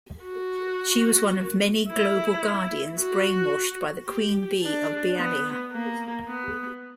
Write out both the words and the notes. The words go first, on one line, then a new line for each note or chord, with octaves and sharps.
She was one of many Global Guardians brainwashed by the Queen Bee of Bialya.
F#4
E4
F#4
G4
D4
B3
A#3
B3